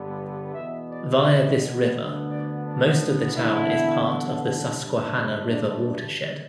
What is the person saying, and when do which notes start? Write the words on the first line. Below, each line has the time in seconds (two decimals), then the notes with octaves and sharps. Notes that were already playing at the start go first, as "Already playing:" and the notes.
Via this river, most of the town is part of the Susquehanna River watershed.
Already playing: G1 G2 D3 B3
0.54 E2 B2 B3 E5
0.89 D5
1.24 E5
1.95 D2 D3 B3
2.30 D5
2.66 D4
3.36 E2 D3 B3 E4
4.78 G1 G2 D3 A3
5.48 D4
5.84 D4